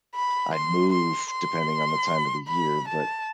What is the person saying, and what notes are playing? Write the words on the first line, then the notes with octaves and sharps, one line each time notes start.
I move depending on the time of the year, but
B5
C6
C6
C6
B5
A5